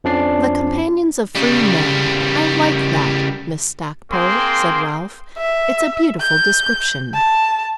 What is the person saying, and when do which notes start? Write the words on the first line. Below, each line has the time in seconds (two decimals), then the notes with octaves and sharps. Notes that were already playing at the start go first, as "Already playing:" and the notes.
"The companions of freemen--I like that, Miss Stackpole," said Ralph. "It's a beautiful description."
0.04 F2 F3 C#4 D4 D5 C7
1.35 C#3 G3
4.11 A#3 C4 G#4 C5 G5 C6
5.38 E5
6.21 G6
7.14 A5